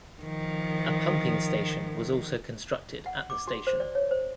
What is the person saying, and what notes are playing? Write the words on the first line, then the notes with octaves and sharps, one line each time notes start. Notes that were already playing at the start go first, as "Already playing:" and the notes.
A pumping station was also constructed at the station.
D#3 F3
F#5
D6
F#4
C5
D5
C#5
C5